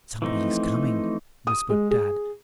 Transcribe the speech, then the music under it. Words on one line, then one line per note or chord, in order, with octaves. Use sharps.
"Somebody is coming," whispered Tad.
E3 F3 A3 C4 D#4
D#6
G#3
G#4